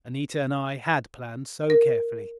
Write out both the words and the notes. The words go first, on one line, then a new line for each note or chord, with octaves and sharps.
Anita and I had planned so carefully.
A#4